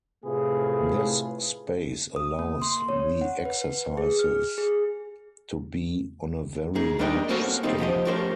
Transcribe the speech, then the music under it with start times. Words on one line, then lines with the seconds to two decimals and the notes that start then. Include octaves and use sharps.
This space allows the exercises to be on a very large scale.
0.25 A2 C3 A3 F4 G#4 B4
2.16 D#6
2.39 A#3
2.62 C6
2.89 C#5
3.21 F#5
3.45 B4
3.97 G#4
4.19 F6
4.58 G#4
6.75 A#3 D#4 G#4
6.99 G3 D4 D#4 A#4 G5
7.29 A#3 C4 C#4 F#4 A4 A#4
7.63 D#3 G3 A#3 C4 D#4
7.78 F3 G4 C5 D#5
8.05 F3 A3 C#4 G4 A#4 C5